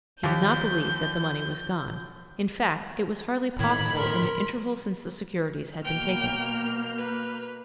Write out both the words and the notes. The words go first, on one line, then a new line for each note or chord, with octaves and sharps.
He did not believe that the money was gone; in fact, it was hardly possible in the interval since the securities had been taken.
D#2 F3 G4 G6
A2 D#3 B5 G#6
A#4 C6
B2 A#3 G5 F6 G6
B4